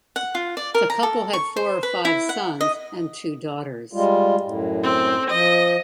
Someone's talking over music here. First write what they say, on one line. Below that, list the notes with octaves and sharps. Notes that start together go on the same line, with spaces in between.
The couple had four or five sons and two daughters.
F#5
F4
D5
A#4
A#5
A4
C#6
C5
B4
E4
F#5
D#5
G3 G#3 F4
F#2 A2
C4
F3 D#5